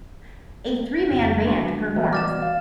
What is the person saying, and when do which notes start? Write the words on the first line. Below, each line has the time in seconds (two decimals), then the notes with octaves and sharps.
A threeman band performs.
1.11 F2 C#3
1.45 D2 G#3
1.96 B2 E3 G3
2.13 B2 D5 F6 A6 E7
2.42 F5